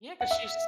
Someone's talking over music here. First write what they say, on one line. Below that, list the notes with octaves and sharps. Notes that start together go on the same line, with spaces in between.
Yeah, 'cause she's
F#5
E5